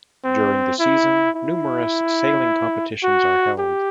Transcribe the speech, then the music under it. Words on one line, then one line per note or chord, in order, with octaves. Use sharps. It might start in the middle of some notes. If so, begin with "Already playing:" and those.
During the season numerous sailing competitions are held.
C4
E4
E4
F#4
G4